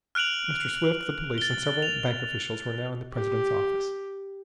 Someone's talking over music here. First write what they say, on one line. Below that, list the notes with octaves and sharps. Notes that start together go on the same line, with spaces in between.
Mr. Swift, the police and several bank officials were now in the president's office.
F6 F#6 D7 F7 F#7
A6 G7
F7
G4